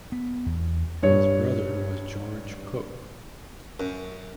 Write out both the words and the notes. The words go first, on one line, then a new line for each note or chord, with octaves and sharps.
His brother was George Cook.
B3
E2
G2 C#5
F#2